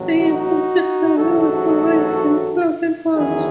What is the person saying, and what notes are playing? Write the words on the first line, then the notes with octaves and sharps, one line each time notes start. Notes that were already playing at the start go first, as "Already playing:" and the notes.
They expected the river to rise in flood at once.
Already playing: A1 A2 F#3
D#4 F#4
A1 G#2 F#3 A3 F#4 A4
E2 D#3 F#3 E4 G#4